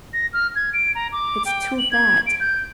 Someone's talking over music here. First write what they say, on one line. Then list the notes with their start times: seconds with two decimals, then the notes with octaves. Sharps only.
It's too bad!
0.13 A#6
0.33 F6
0.56 G#6
0.74 D7
0.95 A#5
1.12 D6
1.46 G5
1.78 F#7
1.92 G#6
2.26 D7
2.40 G6